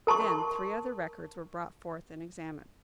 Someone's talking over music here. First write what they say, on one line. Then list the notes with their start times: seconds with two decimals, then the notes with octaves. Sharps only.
Then three other records were brought forth and examined.
0.07 A#4 A5 C6 C#6